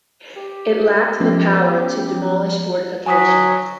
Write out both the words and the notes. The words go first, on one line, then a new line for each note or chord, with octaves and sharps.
It lacked the power to demolish fortifications.
G4
F3 B3 C#4
F#3 G#5 D#6 B6